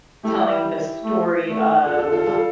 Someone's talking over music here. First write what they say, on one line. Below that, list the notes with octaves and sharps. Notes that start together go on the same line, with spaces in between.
telling the story of
A3 E4 G4
G3
A3
A3
F4 A4
F4 A4
F4 A4
G3 F4 A4